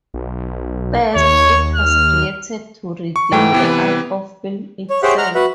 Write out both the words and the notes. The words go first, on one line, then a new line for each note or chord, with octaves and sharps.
First, it was created to redeem the art of film itself.
B1
D#2 C#5
F6
C#6
G#2 E3 A3 G5
C3 E3 B3
B4
C#5
G4 G#4 C5 C#5 E5 F#5
F#5 A#5 F6
F#4 B4 E5 F#5